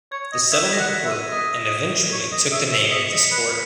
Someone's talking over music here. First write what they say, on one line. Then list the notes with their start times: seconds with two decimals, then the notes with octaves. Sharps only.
The settlement grew, and eventually took the name of this fort.
0.12 C#5 G#6
0.33 D#5
0.52 E5 G#6
0.66 B6
0.73 A#6
0.79 F#5
1.05 E5
1.11 D#7
1.32 D#5 A#6
2.12 C#5
2.32 D#5
2.52 E5
2.72 E5
2.80 C#7
2.91 D#5 B6
3.12 D#5
3.31 B4